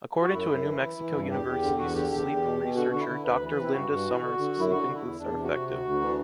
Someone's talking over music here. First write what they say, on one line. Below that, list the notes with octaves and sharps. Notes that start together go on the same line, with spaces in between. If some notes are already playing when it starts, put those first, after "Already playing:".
According to a New Mexico University’s sleep researcher Dr. Linda Summers sleeping booths are effective.
F#4
F#2 E4
F#2
E3
E3
E3
G2
E2 G4
E2
D3
E2 F#4
D3 G4
E2 G4
E2
B2
B2
D3 F#4
D3 F#4
E4
D3
D2 B4
E3
B4
C3
E4
G2 F#4
G2
E3
D3
D3
F#2
E4
D3 F#4
D3
E4
E2
E2 D4
C3
F#4
C3
D2 F#4
D2
E3 D4